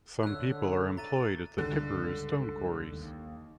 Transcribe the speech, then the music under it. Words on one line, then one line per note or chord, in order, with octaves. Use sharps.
Some people are employed at the Tiperu Stone Quarries.
D3 C#5 E5 E6 F#6
B3 D5 E5
A3 A#5 A6 D#7
C#2 G2 D3
D#2